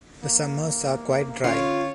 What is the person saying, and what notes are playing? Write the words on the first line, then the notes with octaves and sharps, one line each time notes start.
The summers are quite dry.
A#3
D3 C#4 F4 A4 C#5